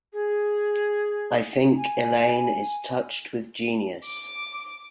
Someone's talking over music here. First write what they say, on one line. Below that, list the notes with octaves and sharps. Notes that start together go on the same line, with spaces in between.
I think Elaine is touched with genius.
G#4
G#5
D6